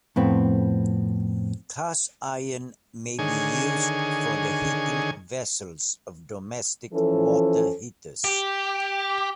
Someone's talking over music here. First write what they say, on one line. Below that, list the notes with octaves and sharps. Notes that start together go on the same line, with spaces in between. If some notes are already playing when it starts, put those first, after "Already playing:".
Cast iron may be used for the heating vessel of domestic water heaters.
F2 A2 B3 C4
D3 D#3 G#4 C#5 G#5
E3 F3 C#4 A4
G4